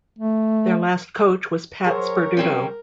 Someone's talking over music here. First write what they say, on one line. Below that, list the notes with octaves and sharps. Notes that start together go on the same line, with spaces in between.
Their last coach was Pat Sperduto.
A3
F#3 G#4 A#4 C5 C#5
G3 C4 C#4